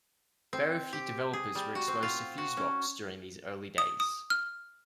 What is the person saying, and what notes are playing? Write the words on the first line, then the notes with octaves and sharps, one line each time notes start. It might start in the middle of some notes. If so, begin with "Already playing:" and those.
Very few developers were exposed to Fusebox during these early days.
C4
G4
G#4
G3
F#4
C4
F4
F#4
C#4
D#6
D#6
F6